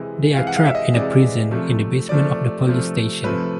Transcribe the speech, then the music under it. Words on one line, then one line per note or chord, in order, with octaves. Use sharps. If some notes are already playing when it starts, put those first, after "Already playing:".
They are trapped in a prison in the basement of the police station.
Already playing: C3 E3 G#3
C3 E3 G#3 F5
F#5
F5
E5
D#5
C3 E3 G#3 D5
C3 F3 A3
C3 F3 A3 D5
C3 F3 A3
C3 F3 A3 B4